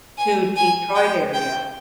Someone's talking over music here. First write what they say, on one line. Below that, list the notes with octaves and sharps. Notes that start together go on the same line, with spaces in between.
to Detroit area,
G#5
G#5
G5
G5